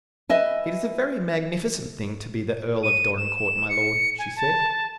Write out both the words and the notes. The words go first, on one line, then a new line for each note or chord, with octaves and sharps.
"It is a very magnificent thing to be the Earl of Dorincourt, my lord," she said.
B4 D#5 E5 G#5
D#7
E7
E7
C#7
G#5
A5